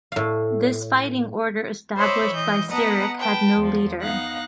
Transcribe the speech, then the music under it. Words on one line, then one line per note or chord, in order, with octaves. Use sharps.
This fighting order established by Cyric had no leader.
A2 F5
C5 C#5 D#5 E5 B5 D6
E3 D#5 G6
B3 B4 D#5 F#5 A5 A#5
B4 G5 A5
E2 F3
B3 D#4 F5 F#6 A#6